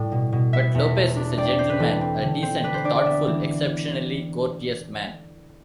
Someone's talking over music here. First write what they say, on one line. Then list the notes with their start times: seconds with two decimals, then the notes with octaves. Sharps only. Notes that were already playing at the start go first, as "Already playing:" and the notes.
But Lopez is a gentleman - a decent, thoughtful, exceptionally courteous man.
Already playing: A2 G3
0.12 B2
0.32 B2
0.53 B3 E5
0.75 E2
0.81 E5
0.96 A3
1.17 D4
1.37 C4 D5
1.48 D5
1.58 C4 C5
1.70 B4
1.79 E3 A4
2.01 C4
2.22 D3
2.42 C4
2.64 D4 B4
2.74 C5
2.85 D4 D5
2.95 D5
3.05 B3 E5
3.27 E3